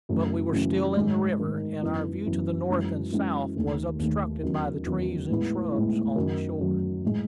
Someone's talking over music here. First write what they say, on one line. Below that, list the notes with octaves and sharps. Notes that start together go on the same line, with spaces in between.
But we were still in the river, and our view to the north and south was obstructed by the trees and shrubs on the shores.
F#2 C#3 E3 A3
F#2 C#3 E3 A3
G#2 D#3 G#3 D#4
G#2 D#3 G#3 D#4
F#2 E3 B3 E4
F#2 E3 B3 E4
F#2 E3 G#3 C#4
F#2 E3 G#3 C#4
D#2 D#3 A3
D#2 D#3 A3
E2 D#3 F#3 C#4
E2 D#3 F#3 C#4
A2 G#3 B3 E4
A2 G#3 B3 E4
F#2 D#3 F#3
F#2 D#3 F#3
A2 G#3